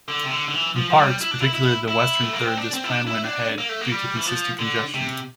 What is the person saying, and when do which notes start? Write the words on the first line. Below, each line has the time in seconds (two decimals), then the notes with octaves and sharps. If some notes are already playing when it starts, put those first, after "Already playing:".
In parts, particularly the western third this plan went ahead, due to consistent congestion.
0.08 D3
0.23 C3
0.31 D3
0.48 D3
0.54 E3
0.76 F3
0.90 F3
0.99 G3
1.21 E4
1.31 D4
1.40 E4
1.54 E4
1.88 E4
2.21 A3
2.33 A#3
2.44 C4
2.57 D4
2.74 C4
2.84 E4
2.90 D4
3.07 E4
3.24 D4
3.58 A#3
3.69 A3
3.81 A#3
3.92 G3
4.17 E3
4.26 F3
4.59 D3
4.94 C3